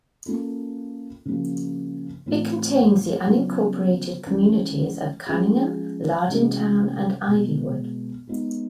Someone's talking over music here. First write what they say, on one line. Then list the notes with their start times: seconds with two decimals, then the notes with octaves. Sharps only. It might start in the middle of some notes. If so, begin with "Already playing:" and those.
It contains the unincorporated communities of Cunningham, Lardintown, and Ivywood.
0.26 A#3 C#4 F4 A4
1.25 C#3 F3 A#3 D4 F#4
2.26 A2 E3 A3 C4 F4
3.27 C#3 F#3 B3 D4 F4
4.26 E3 G#3 C#4
5.27 F3 G#3 C#4 F4 G#4
6.28 C3 E3 G#3 C#4 F#4
7.28 B2 G#3 B3
8.27 G#3 B3 D#4